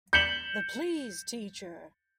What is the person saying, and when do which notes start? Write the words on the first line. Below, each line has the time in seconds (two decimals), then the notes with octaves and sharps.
The Please Teacher!
0.13 G6 B6 C#7 E7 F#7 G7